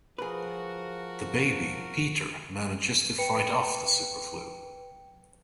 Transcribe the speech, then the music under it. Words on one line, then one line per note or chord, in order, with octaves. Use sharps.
The baby, Peter, manages to fight off the Superflu.
F3 F#4 G#4 A#4 B4
B4 G5 C#7